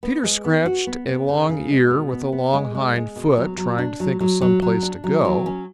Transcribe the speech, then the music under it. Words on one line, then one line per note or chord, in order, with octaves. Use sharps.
Peter scratched a long ear with a long hind foot, trying to think of some place to go.
B3
G#3
B3
F#4
B3
B3
C#3
C#3
G#3
B2
B3
B3
G#3
G#3
G#3
B2
F#3
F#3
D4
F#3
F#3
F#3
F#3
D4
F#3
F#3
C#4